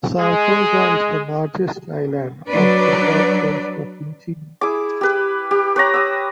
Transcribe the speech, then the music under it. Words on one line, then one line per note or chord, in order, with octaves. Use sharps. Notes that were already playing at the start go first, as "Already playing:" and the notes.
Sartosa is the largest island off the south coast of Luccini.
G#3 G#4
F#3 D4 B4 D5
E4 G#4 D6
G4 B4
G4
B4 C#5 A#5
D#6 E6